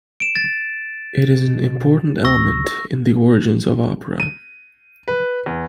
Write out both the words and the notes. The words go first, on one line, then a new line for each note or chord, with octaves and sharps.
It is an important element in the origins of opera.
D7 E7
A6
B2
D2 C#6 E6 A#6
D#7
B4
E2